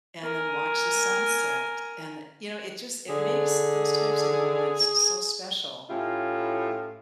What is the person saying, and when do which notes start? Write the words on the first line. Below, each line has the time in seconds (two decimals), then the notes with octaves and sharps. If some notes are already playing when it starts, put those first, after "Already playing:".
and then watch the sunset and, you know, it just, it makes those types of moments so special
0.21 A#4 G#5
3.09 D3 G#4
5.90 A2 C#4 E4 F4 G4